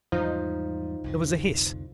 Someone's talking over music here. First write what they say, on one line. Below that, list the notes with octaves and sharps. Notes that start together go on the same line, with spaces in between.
There was a hiss.
E2 G#2 F3 G3 D#4
C2 F2 D3